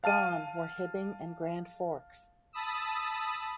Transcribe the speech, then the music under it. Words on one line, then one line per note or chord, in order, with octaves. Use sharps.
Gone were Hibbing and Grand Forks.
F5 A5 F6 D#7
A5 B5 D#6 E6